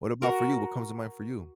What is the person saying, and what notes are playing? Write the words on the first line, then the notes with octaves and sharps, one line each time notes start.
what about for you? What comes to mind for you?
F#4 A#4